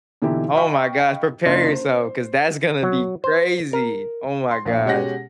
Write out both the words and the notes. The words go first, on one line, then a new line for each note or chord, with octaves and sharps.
Oh, my gosh. Prepare yourself 'cause that's gonna be crazy. Oh, my gosh.
B2 D3 E3 D#4 E4 G4
D#5 F5 G5 B5 C#6
F#1 D4 F4 D#5
C5
F#3
C5
A#4
C6
A#1 A#3
B2 G#3 C#4 G4 F#5 A#6